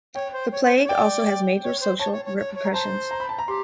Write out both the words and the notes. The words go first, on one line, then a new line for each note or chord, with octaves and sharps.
The plague also has major social repercussions.
C#5 G5
C5
C#5
C5
C#5
D5 G5
G5
C#5
C5
C#5 A5
C#5
C#5
C#5
C#5
A#5
C5 A5
A#5
B5
A5
A#5
G4 C6